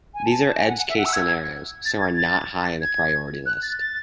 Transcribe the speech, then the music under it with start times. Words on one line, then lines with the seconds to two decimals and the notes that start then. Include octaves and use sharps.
These are edge case scenarios, so are not high in the priority list.
0.14 G#5
0.25 A5
0.57 G#5
0.68 F#5
0.78 F#5
0.89 E5
0.97 F#5
1.05 E6
1.13 G#6
1.85 A6
2.01 G#6
2.17 A6
2.81 G#6
3.46 F#6
3.62 A6
3.78 A6